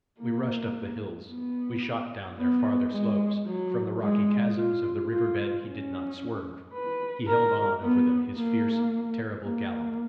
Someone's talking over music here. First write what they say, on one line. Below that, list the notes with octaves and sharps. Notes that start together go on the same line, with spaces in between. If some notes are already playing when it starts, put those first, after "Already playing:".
We rushed up the hills, we shot down their farther slopes; from the rocky chasms of the river-bed he did not swerve; he held on over them his fierce, terrible gallop.
A#3
B3
B3
G#3
F#3
G#3
F4
F4
C#4
B4
A#4
B3
A#3
A#3